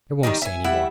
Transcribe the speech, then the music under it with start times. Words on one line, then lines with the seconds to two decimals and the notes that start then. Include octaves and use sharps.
I won't say any more.
0.23 D#3 E3 G3 D#4
0.42 E5 G#5
0.64 G3 E4 E5 F#5